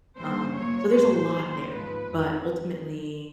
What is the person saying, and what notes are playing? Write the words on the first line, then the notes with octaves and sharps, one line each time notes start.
Um, so there's a lot there, but, ultimately,
G2 E3 G3 A#3 C5
A#2 F#3 A#3 C#5
A2 F#3 A#3 C5
D#2 D#3 F#3 A#3
G#2 F3 G#3 B3 B4
F2